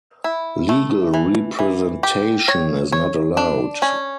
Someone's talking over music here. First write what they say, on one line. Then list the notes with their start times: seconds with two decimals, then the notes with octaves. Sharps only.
Legal representation is not allowed.
0.24 E4
0.69 A3
1.14 E3
1.59 E3
2.03 G4
2.48 C#5
2.92 C#5
3.37 D4
3.82 C#4